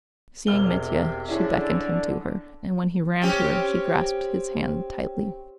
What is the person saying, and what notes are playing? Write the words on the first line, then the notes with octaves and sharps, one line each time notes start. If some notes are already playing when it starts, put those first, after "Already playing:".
Seeing Mitya, she beckoned him to her, and when he ran to her, she grasped his hand tightly.
E1 C3 F6 G7
D3 C#4 E4 G#4
C4 C#4 G4